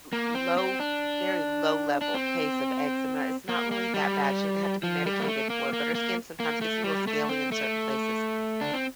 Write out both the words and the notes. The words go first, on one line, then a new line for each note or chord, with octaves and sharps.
l low very low level case of eczema, it's not really that bad, she doesn't have to be medicated for it, but her skin sometimes gets a little scaly in certain places.
A#3
C4
C4
D4
D4
C4
A#3
A#3
G3
F3
G3
A#3
A3
A#3
A#3
A#3
A#3
A3
G3
A3
C4
A3
D4
C4